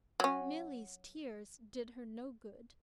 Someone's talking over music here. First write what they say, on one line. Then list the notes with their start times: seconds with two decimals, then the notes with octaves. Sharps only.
Milly's tears did her no good.
0.20 F#3 C#4